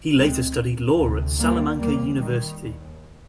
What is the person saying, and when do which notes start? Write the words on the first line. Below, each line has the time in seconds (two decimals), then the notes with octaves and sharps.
He later studied law at Salamanca University.
0.17 D2 C3 G#3 C4
0.97 D2 C3
1.38 G3 A#3
1.79 D#2 G3 A#3
2.19 D#3 G3
2.60 D#2